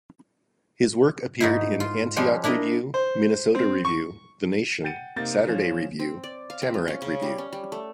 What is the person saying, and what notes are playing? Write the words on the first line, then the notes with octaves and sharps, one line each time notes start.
His work appeared in "Antioch Review", "Minnesota Review", "The Nation", "Saturday Review," "Tamarack Review".
G#2 D#4 E4
F4
F3 G3 G#3 C#4
D4 E4 A#4 D#5
C5
C4
C#6
F#5 G5 G6 A6 C#7 D#7
C3 A#3 D#4 G6 A6
E3 F3 C#4
C4
D5
F5
C4
F4
C#4
C#3
G3
C#4
G3
A3